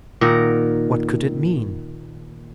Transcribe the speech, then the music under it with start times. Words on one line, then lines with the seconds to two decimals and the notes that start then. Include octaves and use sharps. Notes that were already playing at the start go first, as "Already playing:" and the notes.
What could it mean?
0.21 A#2 D#3 A#4 F#5